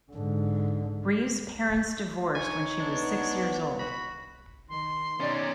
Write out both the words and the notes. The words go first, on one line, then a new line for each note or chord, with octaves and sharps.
Rees' parents divorced when she was six years old.
G#2 D3
D#4 C#5 G#5
B3 D4
F#4 B5
D#3 C6
B2 C#4 D#4 D5